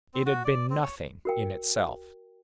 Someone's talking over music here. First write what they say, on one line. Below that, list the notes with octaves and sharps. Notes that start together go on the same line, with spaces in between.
It had been nothing in itself.
C4
F#4
D5
C4
C#5
F#4 A#4 G5